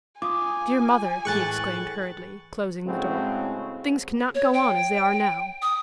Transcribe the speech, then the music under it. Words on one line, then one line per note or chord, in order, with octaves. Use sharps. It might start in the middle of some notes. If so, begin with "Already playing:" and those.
"Dear mother," he exclaimed hurriedly, closing the door, "things cannot go on as they are now."
F4 G#5 D6 D#6
A2 E3 A3 G#4 C#6 F#6 A6
A2 C#3 G#3 C4 F#4
C#5
G5
D#6